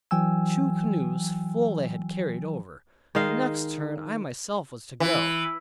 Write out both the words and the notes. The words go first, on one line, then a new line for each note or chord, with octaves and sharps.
Two canoes full they had carried over; the next turn I myself was to go.
E3 F#3 G5 G#5 E6
D#3 G#3 D#5 F5
E3